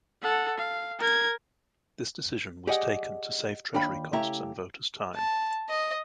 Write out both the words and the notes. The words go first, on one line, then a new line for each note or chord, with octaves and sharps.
This decision was taken "to save treasury costs and voters time".
A4 F#5
F5
A#4 G#6
G4 G#4 D5 D#5 F#5
D#2 D4 F4 G5 B5
C#3 A3 E4 G4 E5 A#5
A5
D#5